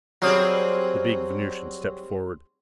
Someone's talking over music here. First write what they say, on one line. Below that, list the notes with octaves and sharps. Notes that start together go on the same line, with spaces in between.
The big Venusian stepped forward.
F#3 G3 C4 G#4 C6 D#6